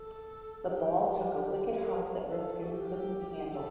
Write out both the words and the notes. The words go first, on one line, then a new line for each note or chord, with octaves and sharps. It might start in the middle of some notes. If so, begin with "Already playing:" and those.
The ball took a wicked hop that Ripken couldn't handle.
Already playing: A4
G4
A4
F#4
G4
A4